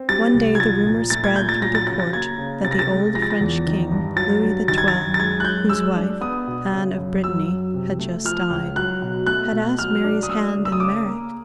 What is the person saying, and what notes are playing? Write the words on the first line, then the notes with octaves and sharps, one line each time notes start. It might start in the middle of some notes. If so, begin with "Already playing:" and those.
One day the rumor spread through the court that the old French king, Louis XII, whose wife, Anne of Brittany, had just died, had asked Mary's hand in marriage.
Already playing: C4
G3 A6
C2
G#6
F3 A6
A#2
A3 A6
G#6
A#2 G6
A6
F#3 A#6
A6
C#3 A6
A6
A#3 G#6
C#3
C3 A6
A#6
A6
G#3
F3 A#6
A6
A#6
E2
D#3
G2
F#3 A6
G2
D#3 A6
G#6
A6
F#2
A6
G#3 G#6
F#6
F#2 G6
G#3 E6
D4
B3 D#6
B2
C#3
F#2
F#3 E6
F#2
C3
A3
F3 F6
C#2
F#3 F#6
B2
A3 F#6
B2
F#3 F6
D4
D#6
A3 E6
C#3
E6
D#6
C#3 D6
A#3